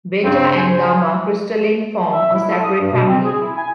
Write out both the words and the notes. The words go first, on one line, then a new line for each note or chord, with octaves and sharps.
Beta and gamma- crystallin form a separate family.
G2 C#3 C4
C5 G#5
E5
E4
A4
D#6
G2
B2
C4
G#4
E4
G#5